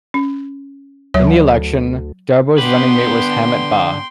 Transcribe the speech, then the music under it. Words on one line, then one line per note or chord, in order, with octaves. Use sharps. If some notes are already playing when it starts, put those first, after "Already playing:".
In the election, Darboe's running mate was Hamat Bah.
C#4
D2 F#3 C#5
D3 B3 G4 B4 G5 C6